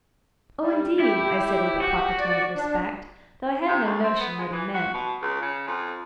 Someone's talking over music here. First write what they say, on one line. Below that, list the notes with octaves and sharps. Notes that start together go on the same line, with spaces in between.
'Oh, indeed,' I said with a proper tone of respect, though I hadn't a notion what he meant.
G3
E4 G4
F#4
D5
D4
C3
D2
C4
B3
G#3
E3
F#4
B2
C#2
C#3
F2